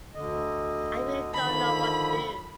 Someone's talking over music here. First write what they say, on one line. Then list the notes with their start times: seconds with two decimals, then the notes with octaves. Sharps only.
I really don't know what to do.
0.15 D2 D3 D#5
1.34 D3 D#3 F3 B5